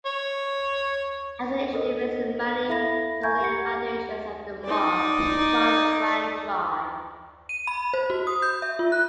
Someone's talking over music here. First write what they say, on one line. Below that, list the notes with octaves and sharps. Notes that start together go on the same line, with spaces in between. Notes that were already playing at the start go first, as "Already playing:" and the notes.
After initially raising money to lay the foundations of the mosque, funds ran dry.
C#5
A4 A#4 C5 D#5
E4 A4 E5 F5 B5 A#6
G#5 A#5 B5 C#6 G6 G#6
G4 F#5 C#7
D#4 D5
D#7
B5
C5
F#4
D#6
G6
E5
F4
F#6